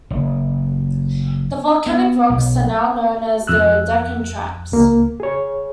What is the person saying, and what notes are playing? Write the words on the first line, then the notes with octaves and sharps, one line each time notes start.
The volcanic rocks are now known as the Deccan Traps.
F#1
B3
B1
F2 E6 F#6
C#2 A#3
G#4 C#5